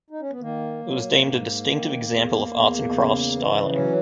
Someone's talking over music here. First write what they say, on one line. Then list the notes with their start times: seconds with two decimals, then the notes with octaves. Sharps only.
It was deemed "a distinctive example of Arts and Crafts styling".
0.10 D#4
0.21 C#4
0.30 B3
0.41 D#3 A#3
0.83 F#3
1.24 G#2
1.66 D#3
2.07 E2
2.49 E2
2.91 C#3
3.32 E3
3.74 F#3 C#4